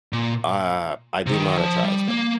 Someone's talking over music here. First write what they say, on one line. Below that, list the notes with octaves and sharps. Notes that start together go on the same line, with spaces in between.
uh, I do monetize them.
A#2
C3
D#3
F3
G3
A#3